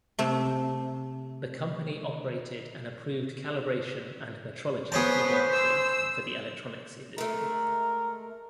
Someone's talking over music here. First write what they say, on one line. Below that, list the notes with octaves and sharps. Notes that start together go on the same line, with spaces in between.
The company operated an approved calibration and metrology laboratory for the electronics industry.
C3 A3
B3 G#4 C5 C#5 A5
E6
G#3 A3 A#4